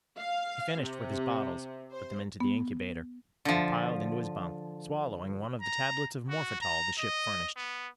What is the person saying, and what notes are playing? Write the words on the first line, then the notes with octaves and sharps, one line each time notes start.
He finished with his bottles, put them into the incubator, and piled into his bunk, swallowing one of the tablets of morphetal the ship furnished.
F5
C3
C5
B3
D3 F3
A#5
F#4
A#5
D#5
B3